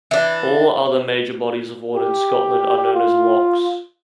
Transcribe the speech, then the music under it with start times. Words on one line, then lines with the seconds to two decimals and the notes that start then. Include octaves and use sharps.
All other major bodies of water in Scotland are known as lochs.
0.11 E3 D4
1.95 G4
2.94 F4